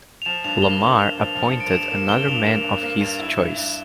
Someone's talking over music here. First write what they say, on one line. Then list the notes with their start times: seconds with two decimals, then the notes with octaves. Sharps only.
Lamar appointed another man of his choice.
0.22 F7
0.25 F3 E7
0.44 G2 F7
0.58 F7
0.62 A#3 G7
0.80 A#3 F7
0.99 G2 F7
1.18 F3
1.35 F3
1.48 C#7
1.54 G2
1.60 D7
1.72 G2 E7
1.91 A#3 E7
2.09 G2 G7
2.27 G2 F7
2.45 A#3 E7
2.64 G2
2.83 A#3
3.01 G2
3.19 E4
3.38 G2
3.56 G2